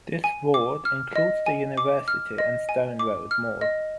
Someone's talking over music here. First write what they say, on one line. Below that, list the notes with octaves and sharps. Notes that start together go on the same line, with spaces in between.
This ward includes the University and Stone Road Mall.
G#5
D6
F6
D#5
G#5
D6
F6
D#5
G#5
D6
F6
D#5